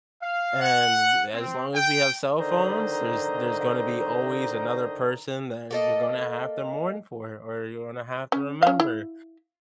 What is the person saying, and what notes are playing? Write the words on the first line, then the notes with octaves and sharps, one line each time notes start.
And as long as we have cell phones, there's there's gonna be always another person that you're gonna have to mourn for, or you're gonna have to remember.
F5
F#5
C4
G5
D3 D#3 C5 D#5 A#5
A#3 A4 D#5
C#4
C#4 F5
E4